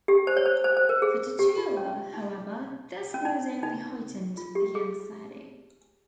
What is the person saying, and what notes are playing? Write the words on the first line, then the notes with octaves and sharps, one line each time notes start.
For "Tutuila", however, this news only heightened the anxiety.
G4
C5
C#5
C5
C5
C5
A#4
G#4
G4
F4
C#4
D#4
C#4
D#4
D#4
F4
G4
G#4